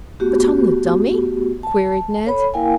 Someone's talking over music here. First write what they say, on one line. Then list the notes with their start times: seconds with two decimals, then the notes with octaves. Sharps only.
"But on the dummy!" queried Ned.
0.20 A3 B3 F#4 G4
1.63 A5
2.25 A4 C#5 B5
2.54 A#3 E4 A#4 F5 G5 G#5